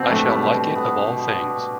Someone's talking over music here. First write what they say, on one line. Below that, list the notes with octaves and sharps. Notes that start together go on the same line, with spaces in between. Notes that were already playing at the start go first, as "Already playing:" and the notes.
I shall like it of all things.
Already playing: B2 C4
A3 D4
G3
B2
B3
B2
D4